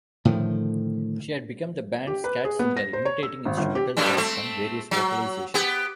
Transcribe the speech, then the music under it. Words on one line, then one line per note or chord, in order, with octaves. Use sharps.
She had become the band's scat singer, imitating instrumental sounds and various vocalizations.
A2 D3 D#3 F3
G4
B4
G#4
B3
A#6
C5
C#5
E6
G#1
G1
G4
F#2 A2 G3
A3 C4
F#3
B3 G4